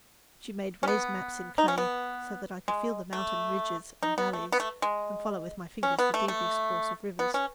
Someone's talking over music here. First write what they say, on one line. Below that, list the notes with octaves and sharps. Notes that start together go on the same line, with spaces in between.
She made raised maps in clay, so that I could feel the mountain ridges and valleys, and follow with my fingers the devious course of rivers.
C#4
B3
D#4
C#4
B3
G#3
A3
D#4
B3
A3
B3
A3
G#3
C#4
B3
A3
A3
B3
C#4